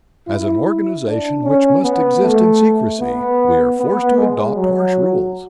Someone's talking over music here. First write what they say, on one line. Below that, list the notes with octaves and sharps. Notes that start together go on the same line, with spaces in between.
As an organization which must exist in secrecy, we are forced to adopt harsh rules.
E4
D4
C#4
B3
A3
B3
B3
G#3
F#3